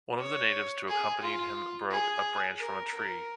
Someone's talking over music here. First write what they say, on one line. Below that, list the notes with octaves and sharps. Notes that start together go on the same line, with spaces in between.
One of the natives to accompanied him broke a branch from a tree.
C#5
G#4
F4
G#4
A#4
A#4